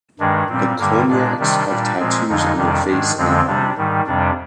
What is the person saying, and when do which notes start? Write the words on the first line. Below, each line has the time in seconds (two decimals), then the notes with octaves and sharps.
The Konyaks have tattoos on their face and body.
0.19 G2 D#3 G#3 D4
0.49 A#2 G3 C4
0.79 G2 D3 G3 A#3
1.09 A#2 G#3 D4
1.39 C3 D#3 G3 D4
1.68 A#2 G3 D4
1.98 A#2 F3 G#3 C4
2.28 F2 D3 F3 G#3 D#4
2.57 F2 C3 D#3 G3 D4
2.87 G#2 D#3 G#3
3.17 F2 D3 F3 G#3 C4
3.47 C3 G3 D4
3.77 G#2 D#3 G3
4.06 F2 C3 G3 D4